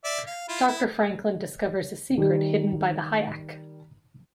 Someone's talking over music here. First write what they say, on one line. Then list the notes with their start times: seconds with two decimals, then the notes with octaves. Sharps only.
Doctor Franklin discovers a secret hidden by the Hyach.
0.04 D5 E5
0.27 F5
0.48 E4 F4
0.68 E4
2.18 D#3 G3